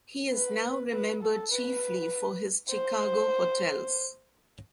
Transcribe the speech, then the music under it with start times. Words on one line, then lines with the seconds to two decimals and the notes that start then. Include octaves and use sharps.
He is now remembered chiefly for his Chicago hotels.
0.34 B4
0.92 B4
1.23 A4
1.52 B4
2.70 C5